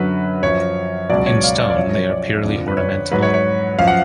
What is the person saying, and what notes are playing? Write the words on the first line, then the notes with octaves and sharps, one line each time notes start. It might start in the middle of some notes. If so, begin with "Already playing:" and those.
In stone they are purely ornamental.
Already playing: F#2 D3 F#3 B4
F#2 F3 C#5
C#2 B2 F#3 D5
C#5
F5
D5
D5
F#2 F3 C#5
C#5
D5
F2 D3 F3
B4
C#5
G#2 F#3 B4
C#5
C#5
F#2 F3 F5
F#5